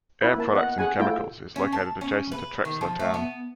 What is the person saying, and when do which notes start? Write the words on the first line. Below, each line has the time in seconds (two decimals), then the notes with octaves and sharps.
Air Products and Chemicals is located adjacent to Trexlertown.
0.22 E4 B4
0.36 A#3 A5
0.53 B3 D#5 F#5
0.78 G#4 F#5 G#5
0.99 A3 E4 F4 G5
1.56 C#4
1.72 A5
2.01 C#4
2.32 B4
2.65 D#3
2.81 F3
3.00 A3
3.14 B3